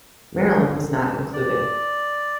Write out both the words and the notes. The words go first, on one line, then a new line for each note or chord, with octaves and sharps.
Marilyn was not included.
D5